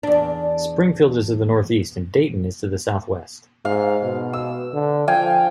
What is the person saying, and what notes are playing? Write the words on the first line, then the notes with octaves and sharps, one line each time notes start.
Springfield is to the northeast, and Dayton is to the southwest.
E2 D4
G#2 F5
B2
E6
D3
F3 F5 G5 G#5